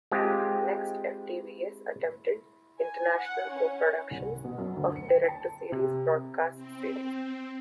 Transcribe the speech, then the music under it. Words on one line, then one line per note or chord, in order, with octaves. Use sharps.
Next FtvS attempted international co-productions of direct-to-series broadcast series.
G#3 C4 F4 G4
G#5
F#5
C#4
C2
B2
F#2
D2
C#7
G5
A5
C3
C4